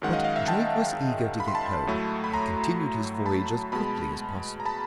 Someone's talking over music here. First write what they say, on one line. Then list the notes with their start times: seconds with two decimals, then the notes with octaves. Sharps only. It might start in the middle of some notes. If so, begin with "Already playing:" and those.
But Drake was eager to get home and continued his voyage as quickly as possible.
0.02 F#2 D#3 G#3 F#5
0.13 D#5 F5
0.24 D#5 F5
0.36 E5 F#5
0.48 G5 A5
1.40 B5
1.48 C6
1.55 A5 B5
1.87 A2 F#3 A3
2.24 B5
2.33 A#5 C6
3.26 A5 B5
3.72 B2 G#3 A5 B5
4.60 A#5
4.66 A5 B5